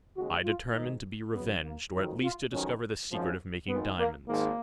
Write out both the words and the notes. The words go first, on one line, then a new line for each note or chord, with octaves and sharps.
I determined to be revenged, or at least to discover the secret of making diamonds.
D#2 C#3 G#3 F#4
F4
G#1 G#2 D#3 D#4
F#2 C#3 F#3 B3
A#3
F2 D#3 F#3
F4
F2 D#3 F#3 C#4
G#1 F#2 F3
G#1 G#2 D#3 B3
A#3
G#1 G#2 D#3 G#3 A#3